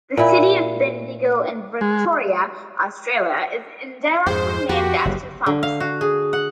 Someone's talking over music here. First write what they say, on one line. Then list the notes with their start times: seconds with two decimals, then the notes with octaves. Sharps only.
The city of Bendigo in Victoria, Australia is indirectly named after Thompson.
0.17 A#2 E4
1.81 G#3
4.26 F2 G#2 G#4 C5
4.69 F2 F#4 G4
5.05 F#1 G2 C#3
5.46 D3
5.63 F5
5.80 F#4
6.01 G#4
6.33 F#5